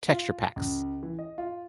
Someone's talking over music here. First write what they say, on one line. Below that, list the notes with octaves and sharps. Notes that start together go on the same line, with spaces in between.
texture packs.
F4
C#2
E3
D#5
F4